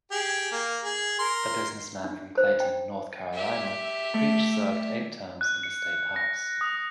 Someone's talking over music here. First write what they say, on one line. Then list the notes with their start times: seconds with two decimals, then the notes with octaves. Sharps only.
A businessman from Clayton, North Carolina, Creech served eight terms in the state House.
0.12 G4 G#4
0.52 A#3
0.82 G#4
1.19 A#4 C6
2.04 D4
2.37 C5
2.60 G5
3.33 G4 E5
4.14 A3
5.41 F#6
5.63 C#7
6.16 A#6
6.61 D#6